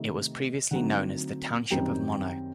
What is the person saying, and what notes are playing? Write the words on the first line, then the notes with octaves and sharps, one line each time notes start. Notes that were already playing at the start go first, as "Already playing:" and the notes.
It was previously known as the Township of Mono.
Already playing: C3 D#3 A3 D#4 D#5
D3 F#3 A3 C4 D#4 F#5
F#2 D#3 G3 C4 D#4 G5